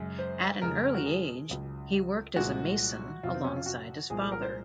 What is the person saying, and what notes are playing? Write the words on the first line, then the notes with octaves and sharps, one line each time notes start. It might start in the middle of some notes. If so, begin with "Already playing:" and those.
At an early age, he worked as a mason alongside his father.
Already playing: F#2 C#3 G#3
C5
F2 C#3 G#3 A#4
F#4
G#4
C#2 C#3 F#3
C2 A#2 F3 G#3 F#4
F2 C3 F#3 F4
C4
C#4
F4
F#4
C2 A#2 F3 G#3 G#4
G#4
A#4
C5